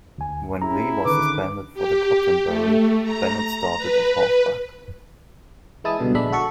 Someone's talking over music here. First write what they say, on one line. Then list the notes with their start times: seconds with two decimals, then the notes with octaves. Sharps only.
When Lee was suspended for the Cotton Bowl, Bennett started at halfback.
0.18 D2 G#5
0.62 C#4 E4 G#4 A#5
1.05 D3 D#3 B4 D6
1.74 G4
2.46 A3
3.04 A#5
3.78 B4
5.84 E3 G#3 E4 A5 D#6
5.99 C#2 G2 B2 D3
6.14 A#1 D3 G#3 D4 E5 B5
6.32 F#4 A4 C#6